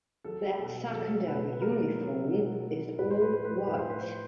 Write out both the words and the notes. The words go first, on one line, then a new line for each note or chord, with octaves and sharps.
Their secondary uniform is all white.
F#3 A4
B2 A4
F#3 A4
B2 B4
B4
F#3 A#4
F#3
B2
F#3
A2 B4
C5
B4
F3 C5
B4
C5
A2 B4
C5
B4
F3 C5